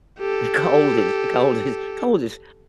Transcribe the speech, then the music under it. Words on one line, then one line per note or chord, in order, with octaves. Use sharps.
And cold is cold is cold is
G4 A4